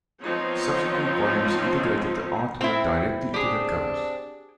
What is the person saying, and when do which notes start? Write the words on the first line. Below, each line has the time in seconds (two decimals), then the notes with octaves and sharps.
Subsequent volumes integrated the artwork directly into the covers.
0.21 F3 B3 C4 D#4 C#5
2.61 C4 E4
3.34 C4 D4 G4 G#4